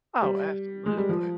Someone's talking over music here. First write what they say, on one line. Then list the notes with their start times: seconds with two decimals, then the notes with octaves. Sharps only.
Oh, absolutely.
0.22 G3
0.86 G#3
0.97 G3
1.09 F3